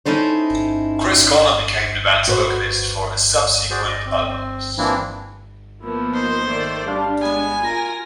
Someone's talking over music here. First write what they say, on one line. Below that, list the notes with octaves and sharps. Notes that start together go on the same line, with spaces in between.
Chris Corner became the band's vocalist for subsequent albums.
C#4 D#4 E4 A4 C5
F#4 B4 C5
F#4 G#4 C5 D5
D5 D#5
C4
C4
E3 F3 A#3 C4 D4 E4
F3 A#3 B3 E4
D#4 C5
D#3 A3 D5
G3 D4 F5
G#3 B3 G#5
F4 A#4 A#6